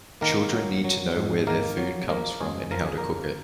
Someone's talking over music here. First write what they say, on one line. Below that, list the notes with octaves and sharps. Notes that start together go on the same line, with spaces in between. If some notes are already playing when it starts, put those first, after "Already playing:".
Children need to know where their food comes from and how to cook it.
D#3 A#3 A#4
F#3
F#3
G#2
D#3 A#3 A#4
F#3
F3 A#3 A#4
F#2 G#3 G#4
F3 A#4
G#4
A#3 A#4
F#2